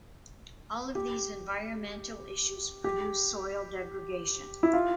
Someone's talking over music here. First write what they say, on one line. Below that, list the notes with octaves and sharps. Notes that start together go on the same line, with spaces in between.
All of these environmental issues produce soil degradation.
G4
G4
E4
F4